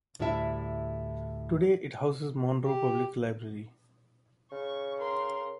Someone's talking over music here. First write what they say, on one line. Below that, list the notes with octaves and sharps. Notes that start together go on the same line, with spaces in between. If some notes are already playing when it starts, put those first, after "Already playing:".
Today it houses Monroe Public Library.
D2 A2 G3 E4 E5 A5
G4
C#3 C#6
A#4 C6